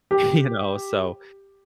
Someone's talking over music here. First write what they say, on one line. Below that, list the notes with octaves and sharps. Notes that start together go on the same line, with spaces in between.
you know? So,
G4